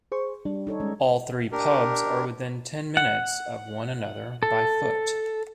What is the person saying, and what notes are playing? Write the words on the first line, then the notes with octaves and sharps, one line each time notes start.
All three pubs are within ten minutes of one another by foot.
G#4 C5 C#6
G3 D4
D#4 A4 C#5
G#3 C#4
D4 G4 A#4
F#5
A4